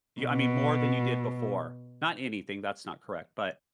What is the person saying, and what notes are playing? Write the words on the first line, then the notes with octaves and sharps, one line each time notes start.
You I mean, more than you did before. Not anything, that's not correct, but,
B2